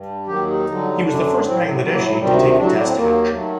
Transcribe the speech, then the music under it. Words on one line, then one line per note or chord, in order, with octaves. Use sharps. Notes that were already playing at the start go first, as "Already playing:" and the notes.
He was the first Bangladeshi to take a Test hat-trick.
Already playing: G2
D#2 D#3 F#3 G4
D#4
G2 D3 F#3
F#2 D3 F#3 D4
A2 F#3 C4
F#3
A3
A2 F#3 G3
A#3
A3
F#3
D2 C3 D#3 G3
A2 F#3 D4
F#4
D4
C4
D#2 D#3 F#3 A#3
D#3 F#3 A3